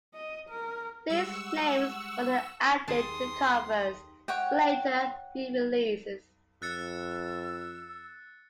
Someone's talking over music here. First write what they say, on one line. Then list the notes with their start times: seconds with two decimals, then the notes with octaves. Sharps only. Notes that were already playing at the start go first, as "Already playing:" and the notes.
These names were then added to the covers for later re-releases.
0.14 D#5
0.50 A#4
1.10 G3 G#3 F#5 C#6 E6
2.88 D#2 D#3 G#4 A5 C6 D#6
4.28 C#5 F#5 G5
6.62 F2 E6 F#6 A6 C#7